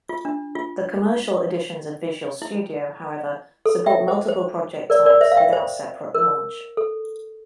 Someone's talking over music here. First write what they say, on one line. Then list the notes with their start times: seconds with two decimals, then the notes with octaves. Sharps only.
The commercial editions of Visual Studio, however, support multiple project types without separate launch.
0.09 F4
0.25 D4
0.55 F4
2.42 E4
3.66 A4
3.86 E5 G5
4.08 C5
4.28 C5
4.90 A#4 D5
5.06 A#4 D5
5.21 C5 E5
5.32 F5
5.37 E5 G5
5.53 C5
6.15 A#4
6.77 A4